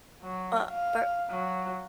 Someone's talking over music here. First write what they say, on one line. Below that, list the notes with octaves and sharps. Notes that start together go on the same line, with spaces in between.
Uh, for
F#3
F5
F#3